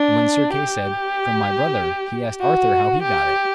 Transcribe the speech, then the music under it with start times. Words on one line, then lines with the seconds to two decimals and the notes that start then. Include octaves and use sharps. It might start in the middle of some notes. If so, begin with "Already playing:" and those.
And when Sir Kay said, "From my brother," he asked Arthur how he got it.
Already playing: D4
0.53 G4
2.40 F#4
3.02 G4